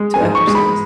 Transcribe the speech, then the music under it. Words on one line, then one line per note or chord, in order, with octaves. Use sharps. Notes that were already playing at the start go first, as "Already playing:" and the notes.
to exercise?
Already playing: G#3
G#5
G#2
C#6
G#3
B5